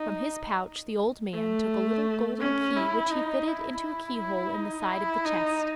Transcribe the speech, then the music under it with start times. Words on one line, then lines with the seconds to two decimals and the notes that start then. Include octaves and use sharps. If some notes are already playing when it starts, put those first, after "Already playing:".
From his pouch the old man took a little golden key, which he fitted into a key-hole in the side of the chest.
Already playing: D#4
1.34 A3
2.41 C#4
2.77 E4
3.11 D#4
3.47 E4
4.18 E4
4.54 D#4
4.89 E4
5.25 D#4